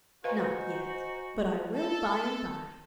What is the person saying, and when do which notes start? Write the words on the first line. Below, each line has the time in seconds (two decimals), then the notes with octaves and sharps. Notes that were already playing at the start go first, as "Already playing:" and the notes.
'Not yet; but I will by and by.'
0.24 F#4 B4 C5 D#5 F5 G#5 A#5
1.77 A4